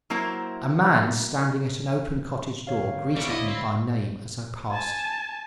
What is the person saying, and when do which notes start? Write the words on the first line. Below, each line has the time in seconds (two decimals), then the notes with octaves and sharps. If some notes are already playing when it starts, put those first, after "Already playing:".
A man standing at an open cottage door greeted me by name as I passed.
0.10 F#3 A#3 E4 A#4 C5
2.67 D2 G#2 D3 C#5 F5
2.97 A3 B3 G4
3.16 B1 G3 E4 D5 C#6
3.31 E4 D#5
3.48 C4
4.71 G#5 A5